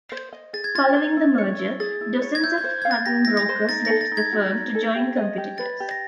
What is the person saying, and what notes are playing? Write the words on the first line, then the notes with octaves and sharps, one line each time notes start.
Following the merger, dozens of Hutton brokers left the firm to join competitors.
C5
D#5
G#4 A6
G#6
F4 A6
C5
E4
C#5
E4
G#4 A6
E4
C#5
G#6
E4 G6
G#6
C5
F5 G#6
A6
G4 A#6
E4 A#6
A#6
C5
D#4 A6
A4 A#6
A6
D#4
G#6
F#4
D#4
A4
G4
D#5
G4
B4 A6
G4
A#6